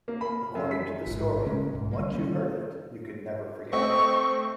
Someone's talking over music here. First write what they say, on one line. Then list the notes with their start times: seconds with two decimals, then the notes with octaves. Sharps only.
According to the story, Once you heard it, you could never forget it.
0.08 A#3
0.21 B5
0.55 F#2
0.71 B6
1.07 A1 G#2
1.46 C#3 G#3 C#4
1.73 B1 G#2
1.91 D3 G3 A#3
2.11 D#3 G3 C#4
3.73 A3 C4 D#5 C#6